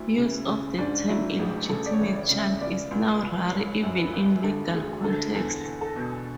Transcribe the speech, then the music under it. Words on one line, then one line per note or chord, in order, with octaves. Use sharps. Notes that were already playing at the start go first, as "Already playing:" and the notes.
Use of the term "illegitimate child" is now rare, even in legal contexts.
Already playing: D2 E4
C#3
C#3
G#2 D4
F#3 E4
A1 G#4
C#3 A4
D5
C#5
E3
D5
C#3
E5
C#2 D5
C#2
C#2
G#1 C#5
F#2
B4
G#1
D3 A4
D2 G#4
D3 A4
E2 A4
E2
A4
B2